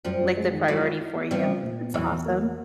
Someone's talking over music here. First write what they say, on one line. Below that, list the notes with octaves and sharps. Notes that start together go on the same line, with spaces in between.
Like the priority for you. That's awesome.
F#2 F3 G3
F#2
G#3
D#3
E3 F#3 G#3
F4
E4
B3
F3 G3 C4
C#3
A#2
B3
E2 E3 F#3
E2
A#3